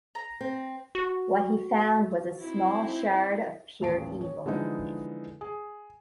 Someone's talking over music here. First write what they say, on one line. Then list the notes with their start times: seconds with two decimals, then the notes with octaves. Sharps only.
What he found was a small shard of pure evil.
0.15 A#5
0.41 C4
0.95 F#4
2.40 C4 D#4 E4
3.81 D#1 A1 A5 D7
4.21 C#5
4.46 D3 E3 F3 G#3 B3 D#4
5.41 G#4